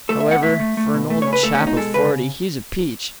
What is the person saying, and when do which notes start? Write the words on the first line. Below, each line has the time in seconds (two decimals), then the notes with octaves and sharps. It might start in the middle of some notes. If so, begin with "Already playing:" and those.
However, for an old chap of forty, he's a peach.
0.09 A3 A4
0.20 E5
0.26 B2
0.31 F#5
0.43 A3 E5
0.60 A3
0.77 A3
0.94 B2
1.10 A3
1.22 C#3 C#5
1.33 B4
1.43 A3 A4
1.55 C#4
1.61 B2
1.67 D#4
1.77 G#3 A4
1.94 C#3 B4